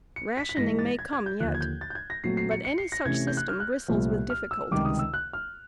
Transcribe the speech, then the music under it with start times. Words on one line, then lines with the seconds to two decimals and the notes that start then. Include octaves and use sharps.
Rationing may come yet, but any such system bristles with difficulties.
0.16 C#7
0.37 B6
0.49 B6
0.57 G#2 E3 G#3 A#6
0.79 A6
0.99 G#6
1.13 G#6
1.26 G6
1.40 D#2 D3 F3 F#6
1.55 G#6
1.61 G6
1.81 A6
1.90 G6
1.95 G#6
2.10 A#6
2.24 A#2 F#3 A3 C4 C7
2.37 C7
2.51 C#7
2.65 C#7
2.78 C7
2.92 A#6
3.05 C3 E3 A3 C#4 G#6
3.27 G6
3.37 F#6
3.48 F6
3.60 F#6
3.88 C2 A#2 F3 A3 C4
4.30 F6
4.51 E6
4.71 C#2 C3 D#3 G3 D6
4.85 D#6
4.99 E6
5.14 F#6
5.33 F6